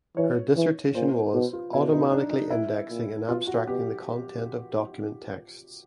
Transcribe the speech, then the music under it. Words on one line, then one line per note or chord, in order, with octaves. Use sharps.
Her dissertation was "Automatically Indexing and Abstracting the Content of Document Texts".
E3 C#5
E3
A#2 C5
B2 B4
F4
B2 E4
D#4
D4
D#4
E4
A#2
B2 F4
F#4
B2 G4